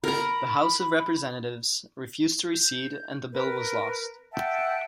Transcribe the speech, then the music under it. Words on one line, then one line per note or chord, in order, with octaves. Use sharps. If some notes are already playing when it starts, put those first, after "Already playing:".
The House of Representatives refused to recede and the bill was lost.
A#4 A#5 B5
G6
A#4 B4
E5 F#5 G5 A5